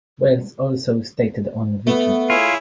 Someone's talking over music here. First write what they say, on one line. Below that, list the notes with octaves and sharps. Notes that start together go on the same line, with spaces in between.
Wells also stated on Vicki!
A3 B3
E4 F4 G#4 C#5